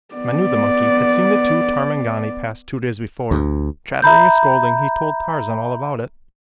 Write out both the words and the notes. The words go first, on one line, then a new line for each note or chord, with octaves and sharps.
Manu, the monkey, had seen the two Tarmangani pass two days before. Chattering and scolding, he told Tarzan all about it.
B3 D5
D2
E5 A#5 B5 G6